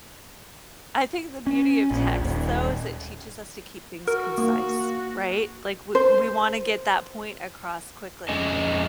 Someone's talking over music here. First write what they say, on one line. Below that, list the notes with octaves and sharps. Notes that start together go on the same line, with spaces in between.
I think the beauty of text, though, is it teaches us to keep things concise, right? Like we we wanna get that point across quickly.
C#4
A#1
D#1
F#4 A#4
A#3
C5
F2 G#3 C#4 D#5 G#5